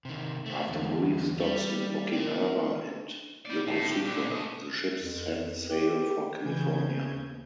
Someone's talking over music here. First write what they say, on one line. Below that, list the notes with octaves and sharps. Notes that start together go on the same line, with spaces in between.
After brief stops in Okinawa and Yokosuka the ships set sail for California.
C3 D#3
A3 C4
E2 D3
G3
A#4 D5
G4 D5
A2
G4
A#2 D4
A3 D#5
F2
G4
C#3 E3 G6 G#6
D#2